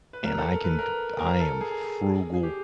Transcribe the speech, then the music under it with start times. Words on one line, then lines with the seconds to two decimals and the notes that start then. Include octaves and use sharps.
And I can p p I am frugal
0.13 B4
0.24 A#4
0.38 A4
0.51 A#4
0.64 B4
0.79 A#4
1.19 A#4
1.40 A4
1.61 G#4
2.34 G#4
2.43 G4